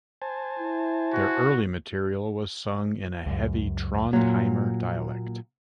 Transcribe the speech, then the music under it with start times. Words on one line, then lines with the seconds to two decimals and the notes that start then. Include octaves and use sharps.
Their early material was sung in a heavy Trondheimer dialect.
0.22 C5 G#5 A5
0.59 E4
1.13 F#4
3.26 C#2 F#2
4.13 A#2 F#3 A#3